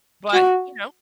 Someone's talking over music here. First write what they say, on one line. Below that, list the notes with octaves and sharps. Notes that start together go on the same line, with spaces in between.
but, you know,
F#4